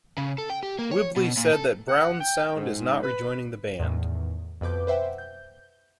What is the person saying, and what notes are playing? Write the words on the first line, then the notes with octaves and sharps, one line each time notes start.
Whibley said that Brownsound is not rejoining the band.
C#3
A4
G5
G4
A#3
C#5
B2
A#2
A4
F#5
G5
G#2
B4
E2 A2 D#3
F2 B2 B4 D6 G6
B4 C5 E5 F#5 G5
G6